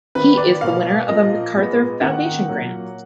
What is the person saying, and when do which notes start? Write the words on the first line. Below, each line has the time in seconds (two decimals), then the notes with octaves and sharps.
He is the winner of a MacArthur Foundation grant.
0.15 D#3 A#3 B4
0.37 D5
0.61 B2 A#3 F5
1.08 A#2 F3 A#3 D#5
1.55 A#2 G#3 B3
2.01 D#3 A#3 F#5
2.47 A#2 F#3 A#3